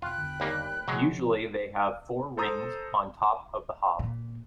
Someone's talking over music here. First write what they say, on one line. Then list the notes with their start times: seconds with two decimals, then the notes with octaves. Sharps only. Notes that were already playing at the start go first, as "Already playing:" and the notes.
Usually they have four rings on top of the hob.
0.02 E1 F4 G5 B5 F#6
0.18 E2 D3
0.40 D#2 G3 A#3
0.88 C3 F3 F#3 G#3
2.37 A4 C5 A#5 D#6 E6
3.99 A#2